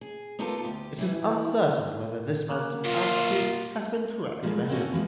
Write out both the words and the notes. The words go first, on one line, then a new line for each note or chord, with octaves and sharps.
It is uncertain whether this mountain’s altitude has been correctly measured.
G#4
B3 D#4 F4 G4 A4 A#4
D2 G4
E3 E4
A#3 F#5
F#2 B2 F4
F3 G3 G#3 A#3
A#3 C4 C#4 F#4 A4
E3 F3 G#3